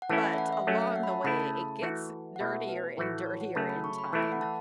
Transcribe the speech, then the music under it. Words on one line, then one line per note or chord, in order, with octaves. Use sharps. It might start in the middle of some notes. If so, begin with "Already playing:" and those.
but along the way it gets dirtier and dirtier in time,
F#5
E3 A3 C#4 E4 A5
B5
E5
F#5
E5
F#3 A3 C#4
E5
F#5
B5
A5
C#3 A3 E4 B5
A5
E3 A3 F#4
F#5
B2 A3 E4 E5
B4
A2 E3 A3 F#4
C#5
F#5
C#3 F#3 A3 C#4 A5
B5
C#6
B5
E3 A3 E4 A5
B5
F#5
A5